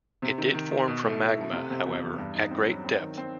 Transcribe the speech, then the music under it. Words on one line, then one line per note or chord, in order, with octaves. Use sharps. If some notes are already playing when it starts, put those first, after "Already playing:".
It did form from magma, however, at great depth.
C3
D#3
D#3
D#3
B2
A3
E4
A3
C3
C3
E2
E2
G2
D#4
C4
F#3
C4
D#3
C4